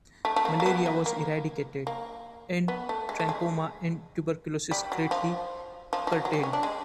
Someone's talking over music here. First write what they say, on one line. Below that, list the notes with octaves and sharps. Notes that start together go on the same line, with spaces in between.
Malaria was eradicated, and trachoma and tuberculosis greatly curtailed.
A3
A3
A#3
A#3
B3
A#3
A#3
A#3
B3
A3
G#3
A3
G#3
G3
F#3
F3
F3
F3
F#3
F#3
G3
C#4
D4
G#3